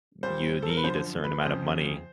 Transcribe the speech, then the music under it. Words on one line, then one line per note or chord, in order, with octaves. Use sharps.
you need a certain amount of money.
A#2 G3 C5
A4
A#4
B4
F#2 D3 F3 C5
B4
F2 C#3 F3 C5